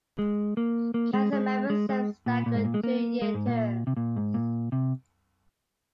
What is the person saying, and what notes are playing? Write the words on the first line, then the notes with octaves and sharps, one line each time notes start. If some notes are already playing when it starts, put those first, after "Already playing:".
Council members serve staggered two-year terms.
G#3
A#3
A#3
G#3
G#3
G#3
G#3
A#2
A#2
G#2
A#2
G#3
A#3
G#3
G#2
A#2
C3
A#2
G#2
A#2
C3